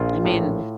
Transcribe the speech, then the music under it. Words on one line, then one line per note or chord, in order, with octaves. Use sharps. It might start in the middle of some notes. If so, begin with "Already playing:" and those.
I mean,
Already playing: A#1 F4
A2